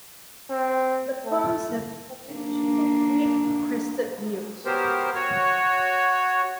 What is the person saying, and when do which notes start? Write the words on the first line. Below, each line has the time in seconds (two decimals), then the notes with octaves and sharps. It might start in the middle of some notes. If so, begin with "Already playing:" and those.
The ponds have populations of great crested newts.
0.49 C4
1.25 A3
2.34 A#3 D4
4.65 F#3 B3 G4 A#4 C5
5.15 F#4 C#5